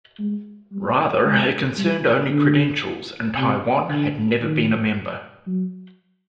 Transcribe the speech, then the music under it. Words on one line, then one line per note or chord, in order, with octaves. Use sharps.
Rather it concerned only credentials and Taiwan had never been a member.
G#3
G3
G#3
G3
D3
C3
D3
D#3
F#3